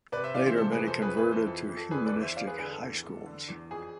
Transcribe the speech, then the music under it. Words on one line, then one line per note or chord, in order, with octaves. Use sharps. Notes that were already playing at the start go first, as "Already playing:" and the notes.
Later many converted to humanistic high schools.
C3 B4 D5
C5 E5
E3 D5 F5
C5 E5
C3 A4 C5
G#4 B4
F2
A4 C5
F2 G#4 B4
G#4 B4
E3
A4 C5
F2 A4
F2
A4
D3 G#4 B4
B4 D5
E2
C5 E5
E2 D5 F5
G#4 B4
D3 G#4 B4
A4
E2
E2
D3
E2
F2 G#4